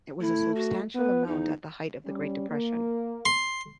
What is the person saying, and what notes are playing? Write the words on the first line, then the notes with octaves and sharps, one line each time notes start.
It was a substantial amount at the height of the great depression.
A3 E4
F#4
B3 B4
E2 D#4
G3 C#4
A#3
C6